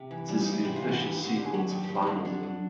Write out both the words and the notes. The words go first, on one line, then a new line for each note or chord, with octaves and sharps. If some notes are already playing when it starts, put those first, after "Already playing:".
It is the official sequel to "Final Zone".
Already playing: C3
E3
G3 C#4
D#4
E2
E4
D#4
C3 E4
F4
E3
F#4
D#2 G4
G4
D#2
F#4
D3 G4
G#4
F#3 G4
D#2 G4
G4
D#2
G4
D#4
D3 D4
F#3 D4
F#3